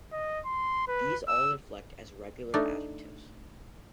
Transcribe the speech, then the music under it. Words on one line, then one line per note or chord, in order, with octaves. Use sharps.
These all inflect as regular adjectives.
D#5
C6
B4
E6
A3 D4 D#4 D5